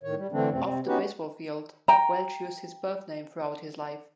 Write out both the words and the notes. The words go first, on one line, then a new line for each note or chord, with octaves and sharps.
Off the baseball field, Welch used his birth name throughout his life.
A2 D#3 C#5
G3
D3 E3 A3 C4 D4
F#2 C3 A3 C4
C3 C4
B3 C#4 D#4 F#4 G4 B4
G5 A#5